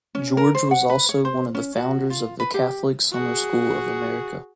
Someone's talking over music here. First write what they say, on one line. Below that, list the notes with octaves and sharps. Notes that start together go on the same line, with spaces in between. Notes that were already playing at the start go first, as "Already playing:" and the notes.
George was also one of the founders of the Catholic Summer School of America.
C#4
A#4
C5
F#5
B4
C#5
C5
C#4
F#4
F4
B4
G4
F#4 G#4